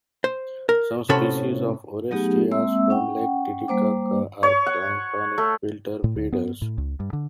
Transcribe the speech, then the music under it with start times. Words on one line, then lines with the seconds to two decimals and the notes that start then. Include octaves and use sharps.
Some species of "Orestias" from Lake Titicaca are planktonic filter feeders.
0.24 C5
0.69 A#4
1.09 A2 C3 C#4 F#4 A4 B5
2.11 F#3 A3 B3 D#4 G4 G#4
2.51 G#3 A#3 C4 E5 E6
2.90 C#4 F#5 G5
3.68 G3 A#3 C5 D6
4.43 C#5
4.66 F#5
5.38 A3
6.04 A2
6.16 D2
6.32 B3
6.62 A2
6.78 C#2
7.00 G2
7.13 D3